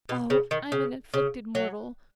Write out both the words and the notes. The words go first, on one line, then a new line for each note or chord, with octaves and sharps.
Oh, I am an afflicted mortal.
B2
C#3
D#3
C#3
C#3
F#3